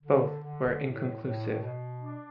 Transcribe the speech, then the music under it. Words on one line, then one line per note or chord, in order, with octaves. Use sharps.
Both were inconclusive.
D3
D3
A2
A2
B2
D4